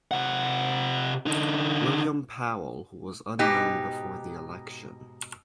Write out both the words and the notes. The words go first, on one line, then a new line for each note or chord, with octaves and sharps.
William Powell who was unknown before the election.
C3 F#5
D3 D#4
G#2 B2 D#4 G4